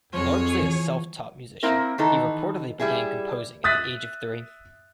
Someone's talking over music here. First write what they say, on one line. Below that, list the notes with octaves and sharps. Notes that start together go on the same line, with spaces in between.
Largely a self-taught musician, he reportedly began composing at the age of three.
F2 F3 F#3 G#4 C#5
E3
A#3 C4 E4 A#4
D#3 E3 D#4 A4
G3 E4 G#4
E5 D#6 F#6 A6 B6